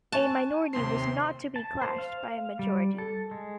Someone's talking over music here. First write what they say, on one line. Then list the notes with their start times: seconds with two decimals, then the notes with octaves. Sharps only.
A minority was not to be clashed by a majority.
0.12 G#5 A5 C#6 F#6
0.73 D#2 C3 C4 C6 C7
1.56 A5
1.82 C5
1.98 F5
2.59 G3
2.98 A4
3.31 G#3